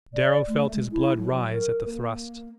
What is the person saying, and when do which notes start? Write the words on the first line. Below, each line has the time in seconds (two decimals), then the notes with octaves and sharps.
Darrow felt his blood rise at the thrust.
0.14 D5
0.47 A3
0.73 G#3
0.92 E4
1.18 F#3
1.52 A#4
1.85 A#3